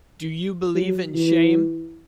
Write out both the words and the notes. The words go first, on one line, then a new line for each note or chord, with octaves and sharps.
Do You Believe in Shame?
F#3
E3